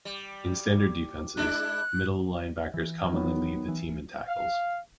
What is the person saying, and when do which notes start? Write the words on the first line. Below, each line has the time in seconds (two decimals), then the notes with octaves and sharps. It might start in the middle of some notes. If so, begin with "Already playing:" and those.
In standard defenses, middle linebackers commonly lead the team in tackles.
0.05 G3
1.37 G#3 D4 E4 F#6
2.74 E3
3.12 D#3 F#3 B3
3.68 E3
4.27 F5